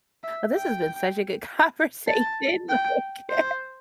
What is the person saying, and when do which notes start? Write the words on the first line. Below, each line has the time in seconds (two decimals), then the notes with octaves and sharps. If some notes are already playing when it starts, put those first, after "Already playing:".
Oh, this has been such a good conversation, like
0.23 E5
0.54 G5
2.07 A5
2.69 G5
3.30 C5